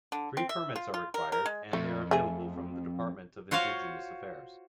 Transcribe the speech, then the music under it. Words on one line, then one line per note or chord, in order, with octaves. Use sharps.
Three permits are required and they are available from the Department of Indigenous Affairs.
D3
C4
E5
F4
F4
A#4
A#4
G#3
F2 A3
A3 G#4
F4 F#4 C5 C#5 F5